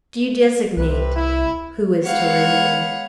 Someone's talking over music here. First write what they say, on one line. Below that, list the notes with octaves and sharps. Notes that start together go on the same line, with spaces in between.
"Do you designate who is to remain."
C2 C3 B4
E4
G#3 B3 C#5 F5 F#5